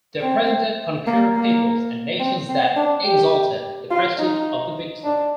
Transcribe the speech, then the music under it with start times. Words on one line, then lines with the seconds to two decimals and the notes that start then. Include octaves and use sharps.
They presented conquered peoples and nations that exalted the prestige of the victor.
0.21 C4
1.07 A#3
1.36 A#3
2.19 C4
2.49 C4
2.76 D4
3.05 G4
3.91 F4
4.18 D#4
5.04 D4